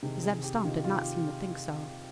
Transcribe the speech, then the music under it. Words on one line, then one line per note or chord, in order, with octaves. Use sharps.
Zeb Stump did not seem to think so.
C3 D#3 G#4
G#4
G4
C3 D#3 F4
F4
G4